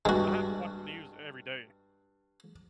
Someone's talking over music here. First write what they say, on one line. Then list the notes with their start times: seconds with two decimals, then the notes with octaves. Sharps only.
I have to watch the news every day.
0.05 G2 G#3 F#4